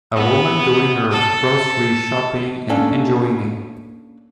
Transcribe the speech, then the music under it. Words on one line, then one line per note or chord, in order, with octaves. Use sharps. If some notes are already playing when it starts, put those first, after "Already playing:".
A woman doing her grocery shopping and enjoying it.
B3
A4
A#3 C#4 D4 A4 F5